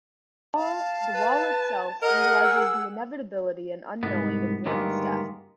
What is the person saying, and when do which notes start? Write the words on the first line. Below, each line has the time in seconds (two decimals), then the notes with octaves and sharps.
The Wall itself symbolises the inevitability and unknowing of one's death.
0.57 F5 A5
1.14 B4
2.02 G#4 A#4 D#5 F#5
2.43 E6
4.03 C2 G#2 B3
4.66 D2 G2 D#3 G#3 A#3 B3